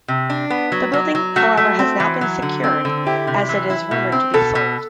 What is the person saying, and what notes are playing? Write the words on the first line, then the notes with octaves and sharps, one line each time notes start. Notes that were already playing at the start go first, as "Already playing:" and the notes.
The building, however has now been secured as it is rumoured to be sold.
C3
D4
B3
F#3
F#3
F#3
A3 F#4
A3
C4
E3
F#3
D3
C4
D3
E4 G4
C3
E3
E4
B2
C4
B2 A4
B2